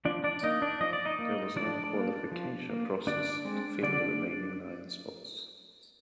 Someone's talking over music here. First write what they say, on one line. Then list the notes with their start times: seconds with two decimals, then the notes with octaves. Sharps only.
There was no qualification process to fill the remaining nine spots.
0.05 F3 D4 D5
0.24 D4 D5
0.43 A#3 D#4 D#5
0.62 D4 D5
0.81 F3 D#5
0.93 D5
1.05 D#4 D#5
1.19 A#3
1.56 F3 D4 D5
1.94 A#3
2.32 F3
2.70 A#3
3.07 D3 D4 D5
3.45 G#3 C4
3.83 D3 D4 D5